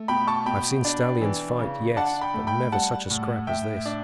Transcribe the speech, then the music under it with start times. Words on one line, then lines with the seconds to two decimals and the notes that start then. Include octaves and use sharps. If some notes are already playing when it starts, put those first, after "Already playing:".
I've seen stallions fight, yes, but never such a scrap as this.
Already playing: A3
0.08 B2 G5 B5
0.28 A5 C#6
0.46 B2 G5 B5
0.85 D4
1.21 E3
1.59 C#3
1.97 D4 F#5 A5
2.21 G5 B5
2.34 A3
2.47 G5 B5
2.72 G3 F#5 A5
3.10 A2
3.47 A2 E5 G5
3.86 D4